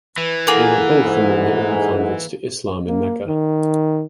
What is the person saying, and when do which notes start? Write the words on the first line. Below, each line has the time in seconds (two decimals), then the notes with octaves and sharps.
They were both among the early converts to Islam in Mecca.
0.18 E3 B4
0.47 A#3 E4 G#4 A4 F#5
1.04 G#2
2.88 A#3
3.27 D#3